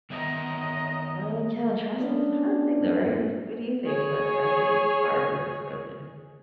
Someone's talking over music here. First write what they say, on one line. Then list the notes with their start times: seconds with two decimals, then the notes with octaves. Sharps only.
Oh, yeah, and trust is a hard thing, though, right? Like, what do you think about trust? I think it's hard when it's broken.
0.10 D#3 B3 D#5 E5 A#5
2.00 B3 C#4 D4
3.85 G#4 C#5